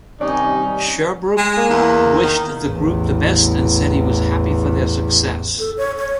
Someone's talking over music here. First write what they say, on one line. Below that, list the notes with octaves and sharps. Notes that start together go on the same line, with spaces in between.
Sherbrooke wished the group the best and said he was happy for their success.
C3 D#3 G3 C#4 D#4 D5
G#3
A#3
E2
D#3
A1 E2
A4
C#5
C#5